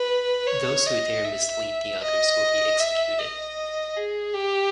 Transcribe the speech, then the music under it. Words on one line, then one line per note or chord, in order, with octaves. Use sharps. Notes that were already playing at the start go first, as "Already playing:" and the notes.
Those who dare mislead the others will be executed!
Already playing: B4
C#5
D#5
E5
D#5
E5
D#5
G#4
G4